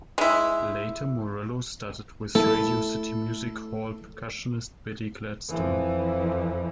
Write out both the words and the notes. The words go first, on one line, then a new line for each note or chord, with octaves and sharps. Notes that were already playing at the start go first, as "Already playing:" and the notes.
Later, Morello studied with Radio City Music Hall percussionist Billy Gladstone.
G#3 E4
A3 E4 A4
F2 E3